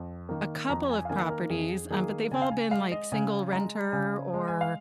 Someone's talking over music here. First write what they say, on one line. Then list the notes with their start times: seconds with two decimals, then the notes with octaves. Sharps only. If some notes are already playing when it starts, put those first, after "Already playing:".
a couple of properties, um, but they've all been, like, single-renter or,
Already playing: F2
0.29 D#3 A#3
0.69 F2 A#5
0.90 G#5
1.05 F5
1.09 D#3 A#3 G#5
1.29 A#4
1.50 F2 G#4
1.90 D#3 A#3 G#4
2.31 C#3 G#5
2.42 F5
2.51 G#5
2.71 G#3 F5
2.92 D#5
3.12 C#3 G#5
3.52 G#3 A#5
3.92 C#3 G#5
4.34 G#3
4.48 G#5
4.61 F5